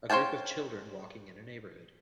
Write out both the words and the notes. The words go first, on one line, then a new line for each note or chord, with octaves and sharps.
A group of children walking in a neighborhood.
C5 C#5 F5 G5 A5